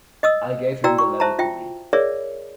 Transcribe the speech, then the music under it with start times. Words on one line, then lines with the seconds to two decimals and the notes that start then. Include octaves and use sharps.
I gave him the letter to read.
0.23 D#5 D#6 E6
0.84 E4 F#4 D5 G5 A#5 E6
0.98 C#6
1.20 C5 E5 A5 A#5
1.39 F4 E5 G5
1.93 G#4 A#4 C#5 D5 E5